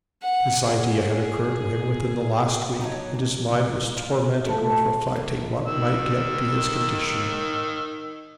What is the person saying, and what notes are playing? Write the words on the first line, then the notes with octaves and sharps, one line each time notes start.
This idea had occurred to him within the last week, and his mind was tormented with reflecting what might yet be his condition.
F#5
G#4
F#3 D#4
E2
F4
A3
A#3
D#3 E6